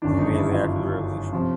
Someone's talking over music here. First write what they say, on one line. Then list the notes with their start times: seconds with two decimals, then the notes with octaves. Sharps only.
Immediately after the Revolution.
0.02 G1 F#2 D#3 D4
0.19 D#4
0.34 E4
0.52 F4
1.32 C3 F3